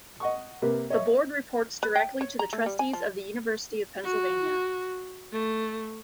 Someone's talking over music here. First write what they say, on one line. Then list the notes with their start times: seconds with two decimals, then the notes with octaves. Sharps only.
The board reports directly to the trustees of the University of Pennsylvania.
0.20 D#5 F#5 C#6
0.62 C3 A#3 G4 A#4 B4
0.90 C#5 D#5 E5 C#6
1.83 B4
1.96 G5
2.21 C#5
2.39 A#5
2.53 A3
2.66 G3
2.79 G#5
2.93 F3
4.03 F#4
5.32 A3